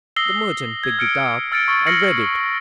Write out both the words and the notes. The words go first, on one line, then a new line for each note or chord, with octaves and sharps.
The merchant picked it up and read it.
D#6 E6 A#6 C7 G7
G#6
F6 C#7 D7
E6 F6 A6 C#7 D7
C#6 E6 A6
F6 A6 A#6 C7 C#7 F#7